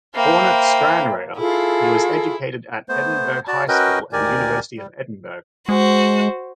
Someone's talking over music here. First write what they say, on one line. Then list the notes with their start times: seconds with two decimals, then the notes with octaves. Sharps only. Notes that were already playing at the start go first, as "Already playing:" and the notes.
Born at Stranraer, he was educated at Edinburgh High School and University of Edinburgh.
0.15 A#3 C5 E5 G5 B5
1.38 E4 F4 G#4 A4
2.89 A3 B3 C5
3.48 F#4 D5 A5
3.68 C#4 F#4 A#4 B4 D#5 G5
4.13 D2 D#3 G4 A#4 D5 G#5
4.77 G3
5.69 G#3 F#4 C5